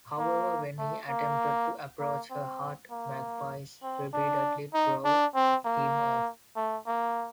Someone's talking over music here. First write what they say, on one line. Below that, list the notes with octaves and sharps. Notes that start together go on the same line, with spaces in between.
However, when he attempted to approach her hut, magpies repeatedly drove him off.
A#3
A3
A#3
A#3
C4
A#3
C4
D4
D#4
D4
C4
A#3
A3
A#3